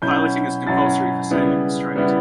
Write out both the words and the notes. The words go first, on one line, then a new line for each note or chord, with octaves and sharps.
Piloting is compulsory for sailing the strait.
B2 F#3 C#4 E4 G6
B2 F#3 C#4 E4 A6
C#3 G3 B3 E4
C#3 G3 B3 E4